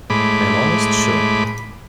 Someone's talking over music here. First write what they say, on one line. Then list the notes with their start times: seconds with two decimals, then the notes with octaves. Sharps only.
I am almost sure.
0.10 A2 G#3 B5 D6